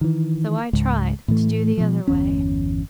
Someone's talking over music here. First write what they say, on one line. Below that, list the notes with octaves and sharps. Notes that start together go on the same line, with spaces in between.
So I tried--to do the other way.
D#3 E3
C#2 G#2
A2 E3 A3
B2 F3
G1 E2 C#4